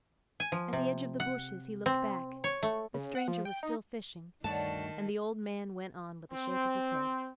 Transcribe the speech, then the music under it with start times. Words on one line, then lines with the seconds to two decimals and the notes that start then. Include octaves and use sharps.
At the edge of the bushes, he looked back; the stranger was still fishing, and the old man went on with a shake of his head.
0.40 G#5
0.52 F3
0.73 C3
1.20 F#5
1.86 C4
2.44 C#5
2.63 A3
2.94 C#3
3.15 F#5
3.28 F3
3.45 G5
3.63 D#4
4.44 D2 G2 D#3 A3 F#4 C#5 D5 A5
6.32 C4